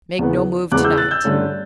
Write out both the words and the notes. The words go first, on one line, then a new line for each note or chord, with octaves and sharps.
Make no move to-night.
E2 C#3 E3 B3
E2 C#3 E3 B3 D6 F#6
E6 G6
F#6 A6
E6 G6
G2 D3 A3 C#4